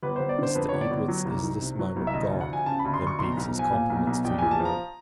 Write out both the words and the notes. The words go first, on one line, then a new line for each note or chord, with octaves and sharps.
Mr. Edwards is this moment gone, and begs his compliments to you all.
G1 B4
G1 C5
D5
D3 C5
F2 B4
G1 C#5
D5
G1
F#3
C2
D#3
C3
F#3
C2
E5
D2 D#5
D2
F#5
F3 G#5
C#3 A5
B5
D2
C6
D2
C#6
B1 C6
B1 A#5
F3 G#5
A#2
B1
B1
A#1 G5
A#1 G#5
A5
F3
A#5